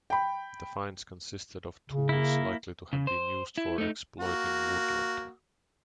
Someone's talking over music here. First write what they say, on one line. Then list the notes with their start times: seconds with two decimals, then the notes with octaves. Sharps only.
The finds consisted of tools likely to have been used for exploiting woodland.
0.10 G5 B5
1.90 C#3
2.09 A#3 E4
2.93 C#3
3.07 C5
3.58 E4
3.78 A3 D#4
4.20 A#3 F#4